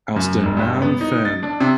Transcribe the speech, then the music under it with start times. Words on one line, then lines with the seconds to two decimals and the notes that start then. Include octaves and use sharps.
"Aus der nahen Ferne".
0.16 F#2
0.43 E1
0.57 G2
0.82 B3
1.01 D#4
1.25 A6
1.43 D4
1.60 C3